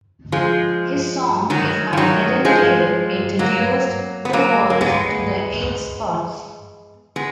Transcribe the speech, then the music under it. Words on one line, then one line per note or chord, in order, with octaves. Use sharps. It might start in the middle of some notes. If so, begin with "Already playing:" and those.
His song, "If I Didn't Care", introduced the world to The Ink Spots.
F3 G#3
D#3 F#3
F3
D#3 F#3
F3 G#3
F#3 A#3
B3
F#3 A#3
A#3
G#3 B3
G#3 B3